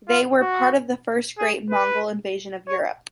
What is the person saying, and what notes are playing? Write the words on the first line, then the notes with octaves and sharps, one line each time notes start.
They were part of the first great Mongol invasion of Europe.
F4
F#4
G#4
B4
C#5